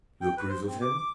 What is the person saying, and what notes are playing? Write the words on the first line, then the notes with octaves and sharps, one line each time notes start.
"You approve of him?"
G5
B4
C5
C4
D6
D6